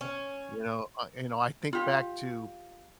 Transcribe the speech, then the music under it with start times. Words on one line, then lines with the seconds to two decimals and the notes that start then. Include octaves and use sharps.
You know, uh, you know, I think back to
0.01 C#4
1.73 F4 G4